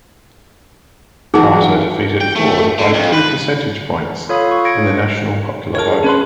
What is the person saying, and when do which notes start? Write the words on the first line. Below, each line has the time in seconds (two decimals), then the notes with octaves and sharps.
Carter defeated Ford by two percentage points in the national popular vote.
1.34 E3 F#3 D#4 F#4 G#4 A5
2.21 G5
2.36 A3
2.78 D3
2.94 F2
3.12 B4
4.29 F4 A4 C#5 F5 B5 D#6
4.52 C#6
4.65 G#6 A#6 C#7 D7
5.75 G#4 A#4 C#5 A5
6.04 C#4 B4 C6